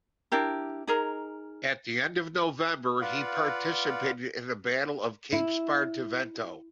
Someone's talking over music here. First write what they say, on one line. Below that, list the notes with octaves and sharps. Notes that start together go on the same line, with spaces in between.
At the end of November he participated in the battle of Cape Spartivento.
D4 E4 G4 A#4
D#4 G#4 A#4
F4 B4 D5 F5 F#5
E4